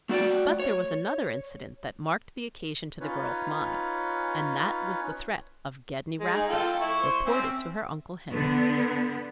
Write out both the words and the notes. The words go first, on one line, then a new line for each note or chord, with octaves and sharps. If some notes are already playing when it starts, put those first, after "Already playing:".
But there was another incident that marked the occasion to the girl's mind, and that was the threat of Gedney Raffer, reported to her Uncle Henry.
A3 F#4 D5 G5
C#5
C#4 D#4 F4 B4 C#5
G#3
D#4 G#4
F4 A4 G5
E4 C#6
C5 C#6
C4 C#4 E5
D3 B3